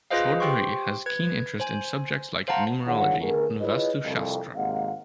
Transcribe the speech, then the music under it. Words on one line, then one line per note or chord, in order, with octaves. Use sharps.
Chaudhry has keen interest in subjects like Numerology and Vastu Shastra.
F4 G#4 B4 C5 D#5 F5
B4
G4 C5 G5 C6 C#6
B4 G#6
C5 G#5
C5 F5 F#5 A5 A#5 C6
D#3 D4 F4 G#4 C#5 F#5
D3 A3 B3 G#4 A#4
E4 F4 G#4 B4 C#5 D#5
C2 F2
G#1 C3 G#3 A#3 F5 F#5